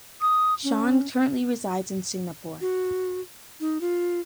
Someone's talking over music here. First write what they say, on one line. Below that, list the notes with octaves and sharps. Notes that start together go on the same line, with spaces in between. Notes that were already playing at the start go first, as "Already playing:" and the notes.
Chan currently resides in Singapore.
D#6
C#4
F#4
D#4
F4